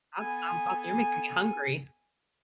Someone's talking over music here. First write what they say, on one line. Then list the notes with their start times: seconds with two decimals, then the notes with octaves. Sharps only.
That sounds aw You're making me hungry.
0.19 B3 A4 G#5